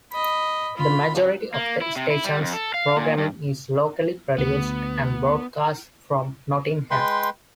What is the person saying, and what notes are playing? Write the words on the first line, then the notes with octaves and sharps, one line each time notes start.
The majority of the station's programming is locally produced and broadcast from Nottingham.
D#5 B5
F4 B5
A#3
E4
C3
E4
G3
F2
A4
F5
A#2
G2
D2 B3
G#3 B4 G5 C6